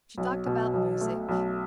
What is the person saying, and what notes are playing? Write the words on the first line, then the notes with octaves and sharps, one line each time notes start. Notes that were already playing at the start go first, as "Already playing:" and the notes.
She talked about music.
B1
B2
B1
A3
B1